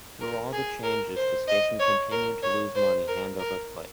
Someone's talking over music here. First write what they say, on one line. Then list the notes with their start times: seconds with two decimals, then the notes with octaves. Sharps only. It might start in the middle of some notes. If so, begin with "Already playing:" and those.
Through all the changes, the station continued to lose money hand over foot.
0.21 A#4
0.53 G#4
0.84 A#4
1.16 C5
1.48 D#5
1.79 C#5
2.11 A#4
2.43 C#5
2.75 C5
3.08 A#4
3.39 A#4